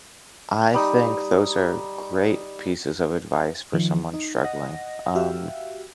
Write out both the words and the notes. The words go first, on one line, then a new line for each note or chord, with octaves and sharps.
I think those are great pieces of advice for someone struggling. Um.
G3 D#4
D#3 F3
D#4
D#5 F#5 A#6
F#4 G4 E5 F5